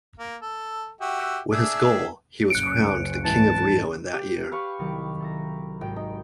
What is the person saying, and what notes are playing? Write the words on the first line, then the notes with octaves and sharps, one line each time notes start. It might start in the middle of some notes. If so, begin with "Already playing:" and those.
With his goal he was crowned the King of Rio in that year.
A#3
A4
F#4 G4 E5
D4 G#4 E5
F#1 C#2 C#4 F#6 C#7 D7
G#2 E3 A5
G4
B4 F5 C#6
C2 D#3 F#3
A4 E5 A#5
G#1 G5
D#4